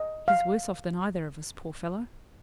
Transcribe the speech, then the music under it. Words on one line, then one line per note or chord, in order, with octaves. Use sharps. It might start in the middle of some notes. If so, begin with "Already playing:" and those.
He's worse off than either of us, poor fellow.'
Already playing: D#5
F5